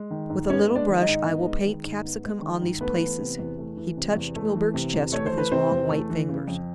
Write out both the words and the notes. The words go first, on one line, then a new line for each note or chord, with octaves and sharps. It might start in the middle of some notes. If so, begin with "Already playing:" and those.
"With a little brush I will paint capsicum on these places." He touched Milburgh's chest with his long white ringers.
Already playing: G#3
D#3
G#2
B3 C#4 C#5
G#3
D4 D5
D#3
D#4 D#5
G#2
B3
G#3
D#3
G#2
B3
G#3
D#3
G#2
A3 B3 B4
E3
C3
E2
A3
E3
C3
E2
A3
E3
C3
E2
A3 C#5
C5
E3
B4
C3 C4 C5
E2
A3
E3
C#3
F2